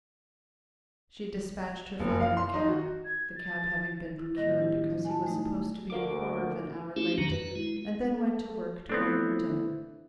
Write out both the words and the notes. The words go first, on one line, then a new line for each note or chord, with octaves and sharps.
She despatched her father in a cab, the cab having been procured because he was supposed to be a quarter of an hour late, and then went to work to order her dinner.
F#1
F5
C6
D#4
F#4
G#6
A6
E4
A2 D#3 G3 A#3 D#5 A#6
D4 E4 G4
G#5 A5
A3 D#4
D2 A#3 F#4 D6
A3 C#4 E4 F4 G4
F#2 D#3 F#3 D4 A#5
F#4 B4
G#3 E4
A4
A3 B3 C4 D4 E4 A4 C5